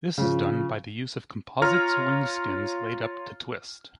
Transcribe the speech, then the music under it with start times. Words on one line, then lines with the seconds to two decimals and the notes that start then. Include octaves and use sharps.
This is done by the use of composites wing skins laid-up to twist.
0.18 C#3 F3
1.62 F4 C#5 A#5 F6